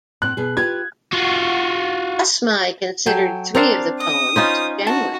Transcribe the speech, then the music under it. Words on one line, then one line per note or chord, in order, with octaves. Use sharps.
Asma'i considered three of the poems genuine.
A2 C4 F#6
B2 G#4
F4 G4 B4 G#6
F4 F#4
F#3 A4 G5 G#5
C4 D4 A#4 F5
D#5 D#6
C#4 D#4 F4 C5 B5
F#4 A5